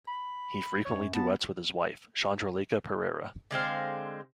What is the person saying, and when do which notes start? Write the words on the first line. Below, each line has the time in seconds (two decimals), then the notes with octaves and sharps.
He frequently duets with his wife Chandralekha Perera.
0.08 B5
0.85 F#2 C#5
1.15 B3 A5
3.51 D3 G#3 C4 F5